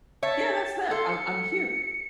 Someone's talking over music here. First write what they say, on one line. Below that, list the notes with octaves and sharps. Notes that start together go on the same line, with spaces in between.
yeah, that's that. I'm I'm here,
C#5 E5 A5
A4 C6
C#7